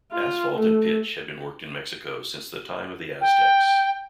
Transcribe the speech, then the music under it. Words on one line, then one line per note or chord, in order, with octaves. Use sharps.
Asphalt and pitch had been worked in Mexico since the time of the Aztecs.
F4
A3
G5